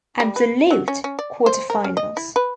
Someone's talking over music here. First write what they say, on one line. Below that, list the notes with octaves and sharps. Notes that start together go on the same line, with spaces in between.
Absolute: Quarter finals.
G3
B4
F#3
C#4
C#4
D5
C5
A#4
C#4
D#5
E4
B4